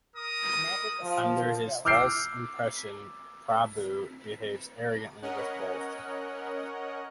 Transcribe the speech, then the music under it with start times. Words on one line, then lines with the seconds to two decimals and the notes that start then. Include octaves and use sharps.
Under his false impression Prabhu behaves arrogantly with both.
0.15 A#4 D#6
1.02 F3
1.85 D6 E6 F6 G6 C7 D7
5.22 C#4 A#4 C#5 D#5 F#5